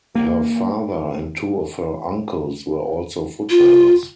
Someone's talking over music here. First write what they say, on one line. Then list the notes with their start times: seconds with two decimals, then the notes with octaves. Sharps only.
Her father and two of her uncles were also footballers.
0.15 A#3
3.50 F4